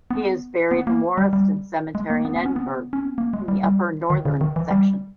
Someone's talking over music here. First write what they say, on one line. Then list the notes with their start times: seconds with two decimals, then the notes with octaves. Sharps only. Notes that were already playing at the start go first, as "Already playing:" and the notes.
He is buried in Warriston Cemetery in Edinburgh in the upper northern section.
0.11 B3
0.71 B3
0.87 A#3
1.18 G3
1.33 G3
1.95 G#3
2.10 A#3
2.25 B3
2.36 B3
2.46 C#4
2.56 B3
2.93 C#4
3.05 B3
3.18 A#3
3.34 G#3
3.48 G3
3.64 G3
4.10 D#3
4.25 C#3
4.41 D#3
4.56 E3
4.71 G3